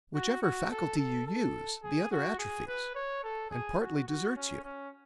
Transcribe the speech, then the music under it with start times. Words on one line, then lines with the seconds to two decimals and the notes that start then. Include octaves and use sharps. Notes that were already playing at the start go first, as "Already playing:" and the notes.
Whichever faculty you use, the other atrophies, and partly deserts you.
0.14 F#4
0.42 F#4
0.71 A4
0.98 A4
1.27 A4
1.83 G#4
2.11 F#4
2.39 G#4
2.68 B4
2.95 C#5
3.24 A4
3.51 G#4
3.79 F#4
4.08 F#4
4.36 C#4
4.64 C#4